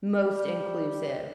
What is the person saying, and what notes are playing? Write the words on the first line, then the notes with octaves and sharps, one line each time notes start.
most inclusive,
G3